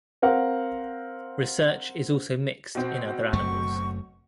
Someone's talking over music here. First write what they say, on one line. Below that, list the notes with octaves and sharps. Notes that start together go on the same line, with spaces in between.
Research is also mixed in other animals.
C4 A#4 F5 F#5
B2 C4
F#1 F#2 A3 C#6